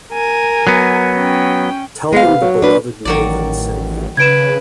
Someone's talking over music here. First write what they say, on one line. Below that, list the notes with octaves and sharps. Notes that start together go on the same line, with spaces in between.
Tell them the beloved "Maven" sent you.
A#4 G#5
F#3 B3
C#4 G5
G#3 B3 F5
C3
F#3
D4 B4
A1 D#3 F#3 D5
C#3 B4 G#6 D7 E7